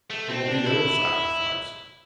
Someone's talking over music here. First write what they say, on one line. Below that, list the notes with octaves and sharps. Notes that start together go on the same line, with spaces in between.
There will be no sacrifice.
A3
C4
D4
E4